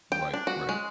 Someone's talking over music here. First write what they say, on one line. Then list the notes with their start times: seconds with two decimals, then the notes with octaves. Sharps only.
Right, right.
0.12 G5
0.34 D4
0.47 F#4
0.69 G#3